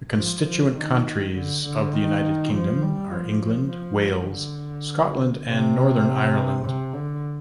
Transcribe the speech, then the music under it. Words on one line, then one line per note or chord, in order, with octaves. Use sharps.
The constituent countries of the United Kingdom are England, Wales, Scotland and Northern Ireland.
F3
F3
D#3
D3
D3
D#3
F3
G3
F3
F3
D3
C3
C3
D3